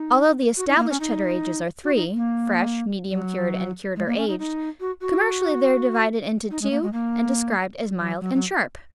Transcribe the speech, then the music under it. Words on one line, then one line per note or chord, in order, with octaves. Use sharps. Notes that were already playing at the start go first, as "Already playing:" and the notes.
Although the established Cheddar ages are three, fresh, medium-cured, and cured or aged, commercially they are divided into two and described as mild and sharp.
Already playing: D#4
F#4
D#4
A#3
C#4
D#4
F#4
D#4
A#3
F#3
G#3
A#3
C#4
D#4
D#4
F#4
F#4
D#4
G#3
A#3
G#3
A#3
F#3
F#3
F#3